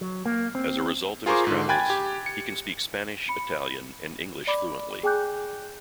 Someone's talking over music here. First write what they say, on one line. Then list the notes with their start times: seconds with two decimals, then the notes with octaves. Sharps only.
As a result of his travels, he can speak Spanish, Italian and English fluently.
0.01 F#3
0.26 A#3
0.55 C4
1.26 F4 G#4 A#4 C5 C#6 D6
1.47 G#2 D3
1.69 G5 G#5 B5 F#6 G#6 A6
1.90 G4
2.26 C#7
3.28 B5 C#7
4.47 D5 B5 D6
5.03 G#4 G5 G#5 D6 F#6 G6